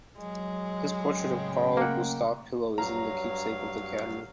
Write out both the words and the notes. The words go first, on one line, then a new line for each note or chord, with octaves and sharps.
His portrait of Carl Gustaf Pilo is in the keepsake of the Academy.
F#3 G#3
A2 C#3 G5
A#3 F#5
G2 F#3 C#5 F5 A#5